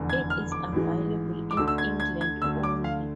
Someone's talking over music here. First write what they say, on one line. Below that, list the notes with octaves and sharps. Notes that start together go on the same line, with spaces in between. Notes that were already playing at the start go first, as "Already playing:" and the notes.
It is available in England only.
Already playing: F1 E2 D3
G#6
F6
D6
A1 G#2 E3 G#3
D6
D2 D3 A3 E6
E6
G#6
G#6
G#6
D2 D3 A3 E6
D6
F5